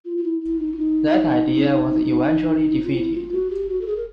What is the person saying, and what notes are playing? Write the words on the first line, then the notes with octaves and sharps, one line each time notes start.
That idea was eventually defeated.
F4
F4
E4
E4
D#4
E4
D#4
F4
E4
F4
F#4
G4
F#4
A4
G#4
A#4